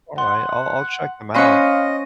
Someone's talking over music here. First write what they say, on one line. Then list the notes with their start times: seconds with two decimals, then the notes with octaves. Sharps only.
Alright, I'll I'll check them out.
0.18 F#5 C6
1.34 C#4 C5 D#5 F5 G#5 B5 F#6 C#7